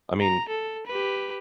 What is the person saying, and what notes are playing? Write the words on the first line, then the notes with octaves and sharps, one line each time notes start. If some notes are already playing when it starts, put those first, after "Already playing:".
I mean
A#5
A4
G4 B4